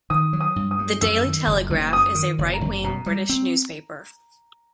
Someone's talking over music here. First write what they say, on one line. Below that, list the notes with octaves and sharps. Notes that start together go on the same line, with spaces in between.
The Daily Telegraph is a right-wing British newspaper.
D#3 D#6
F#3
D#6
G2
D#6
G2
F#2 E6
D#3
F#1
F#1
F#2 D#6
D#3
F#1
A#5
F#1
B2 A#5
G3
C4